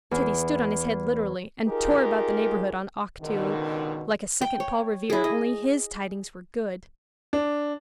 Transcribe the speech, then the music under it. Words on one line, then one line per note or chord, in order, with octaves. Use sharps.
Teddy stood on his head literally, and tore about the neighbourhood on Octoo, like a second Paul Revere--only his tidings were good.
E2
D#4 F4 G4 G#4 A#4
C#2 B2 D3 D#3
G5
C#5
E4 G#4
D#5
D4